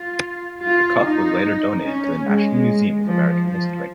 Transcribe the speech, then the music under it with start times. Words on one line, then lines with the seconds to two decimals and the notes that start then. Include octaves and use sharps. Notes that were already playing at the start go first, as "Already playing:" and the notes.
The cuff was later donated to the National Museum of American History.
Already playing: F4
0.63 F4
1.03 D#4
1.84 C#4
2.25 G#3
3.05 F3
3.46 F3